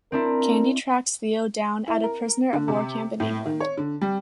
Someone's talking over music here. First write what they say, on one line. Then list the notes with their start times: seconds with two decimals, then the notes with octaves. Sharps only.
Candy tracks Theo down at a prisoner of war camp in England.
0.12 C4 D4 E4 A#4
1.88 E4
2.04 A#4
2.53 D3
2.68 C3
3.20 A2
3.46 D#3
3.60 C#5
3.77 D3
4.01 G3